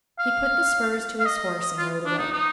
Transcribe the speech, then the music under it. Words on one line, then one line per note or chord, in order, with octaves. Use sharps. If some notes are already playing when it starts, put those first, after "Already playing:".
He put the spurs to his horse and rode away.
F5
F5
D#5
F4
D4
D#4
D#4